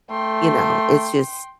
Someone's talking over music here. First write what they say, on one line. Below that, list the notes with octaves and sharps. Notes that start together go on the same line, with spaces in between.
You know, it's just
A3 G5 C6